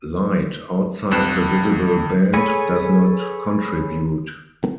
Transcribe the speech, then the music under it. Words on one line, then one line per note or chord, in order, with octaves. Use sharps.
Light outside the visible band does not contribute.
C2 F2 F#6 E7
G#4 A4 B4 C#5 G#5